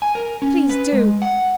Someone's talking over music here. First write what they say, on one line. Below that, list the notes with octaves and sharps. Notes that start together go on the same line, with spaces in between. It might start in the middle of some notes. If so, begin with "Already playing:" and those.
Please do.
G#5
A#4
C#4
B4
G#3
F#5